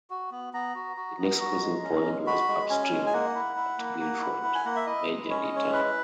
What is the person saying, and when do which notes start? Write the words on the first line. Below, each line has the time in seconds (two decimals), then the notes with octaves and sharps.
The next crossing point was upstream at Guildford, a major detour.
0.10 F#4
0.31 B3
0.54 B3 A#5
0.75 F#4
0.97 F#4
1.19 B3
1.40 F#4
1.61 G#3
1.83 C#4
2.05 G#3
2.27 F#4 B5
2.48 G#3
2.70 C#4 G#5
2.92 G#3
3.07 G#5
3.13 A#3 F#5
3.35 E4
3.57 E4
3.79 A#3
4.00 A#3
4.22 E4
4.43 E4
4.55 G#5
4.65 A#3 F#5
4.76 E5
4.87 E4 D#5
5.08 G#3
5.30 C#4 C#5
5.43 D#5
5.52 G#3 C#5
5.73 E4 B4